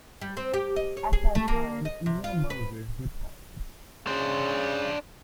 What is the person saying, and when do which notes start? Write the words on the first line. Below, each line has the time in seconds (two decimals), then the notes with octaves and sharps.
At that time Neal Moser retired.
0.21 G3
0.37 C4
0.54 G4
0.76 D#5
0.97 C#5
1.13 G#4
1.35 A3
1.48 A#3
1.85 D#5
2.06 C3
2.24 F4
2.50 B4
4.07 C#3 D4 C5